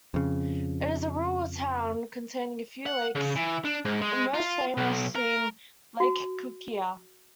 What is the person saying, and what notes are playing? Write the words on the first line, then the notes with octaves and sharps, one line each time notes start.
It is a rural town containing a few lakes, most famous being lake Kukkia.
F2 C#3
F#5
C#3
E3
D4
G#2
G#3
F4
B1
A#4
F#4